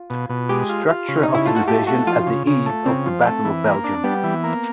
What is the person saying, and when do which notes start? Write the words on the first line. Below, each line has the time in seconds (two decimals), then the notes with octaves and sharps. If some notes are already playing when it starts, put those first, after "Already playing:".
Structure of the division at the eve of the Battle of Belgium.
Already playing: F4
0.10 B2
0.30 B2
0.49 G#3 G4
0.69 F4
0.88 F4
1.08 C#3
1.23 D#4
1.28 C#3
1.35 E4
1.45 A3 F4
1.56 F#4
1.68 A3 G4
1.87 A3 F#4
2.07 F3 F4
2.27 C#3
2.47 C#3
2.66 A3
2.85 C#3 C4
3.06 F3
3.25 A3
3.45 E3
3.64 A#3
3.84 D4
4.04 G3 B3
4.23 E3
4.44 A#3